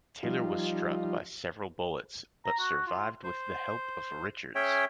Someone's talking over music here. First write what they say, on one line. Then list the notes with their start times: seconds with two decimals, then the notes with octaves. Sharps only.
Taylor was struck by several bullets but survived with the help of Richards.
0.23 F3 G3 D#4 F4
2.45 A#5
2.59 F#4
2.87 F4
3.24 C5
4.55 C#4 G#4 C#5 E5 G5